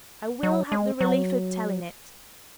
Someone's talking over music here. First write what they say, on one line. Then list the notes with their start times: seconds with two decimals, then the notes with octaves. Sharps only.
I will have the relief of telling it.
0.43 F#3
0.72 G#3
1.01 F#3